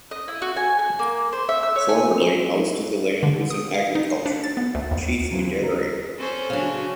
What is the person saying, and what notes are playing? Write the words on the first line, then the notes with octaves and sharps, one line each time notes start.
Formerly most of the land was in agriculture, chiefly dairy.
D#5
E4
F#4
G#5
G#5
A#3
C5
E5
E6
C#5
G#5
D3
D#6
F5
D#4
C7
D4
A6
B3
D2
D#2
C#3 E3 F#3 C4
A#4
C4 C#4 A4 C5
C#3 F#3 D4 F#4